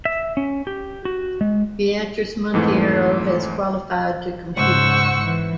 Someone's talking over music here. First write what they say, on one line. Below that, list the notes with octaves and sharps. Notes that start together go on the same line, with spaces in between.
Beatriz Monteiro has qualified to compete.
E5
C#4
G4
F#4
G#3
F2 G#2 E3 A3
G#2 C#3 C5 F#5 C#6 E6
E3